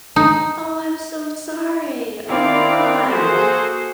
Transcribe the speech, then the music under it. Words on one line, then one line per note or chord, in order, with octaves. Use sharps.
Oh, I'm so sorry. Oh my gosh.
D#4
D#3 C4 E4 D5 F5
A#3 F#4 G#4 A4 C5